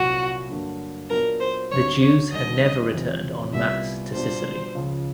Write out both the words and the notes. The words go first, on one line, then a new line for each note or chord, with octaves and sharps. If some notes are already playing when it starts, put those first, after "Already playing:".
The Jews have never returned en masse to Sicily.
Already playing: C2 A#2 F#3 F#4
G2 D3 F#3 A#3
A#2 F#3 B3 D4 A#4
C5
D2 D3 F#3 C#5
C#5
D#2 D3 G3 D#5
E2 C3 F3
C2 A#2 G3 B3 E5
B2 G3 B3 D4 F4 C5
C#2 C#3 F3